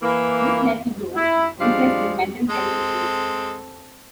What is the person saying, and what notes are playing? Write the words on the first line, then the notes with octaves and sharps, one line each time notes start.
This led to Jones' interest in mental health issues.
E3 A#3
E4
F3 G3 G#3 D4 F5
G#3 C4 A4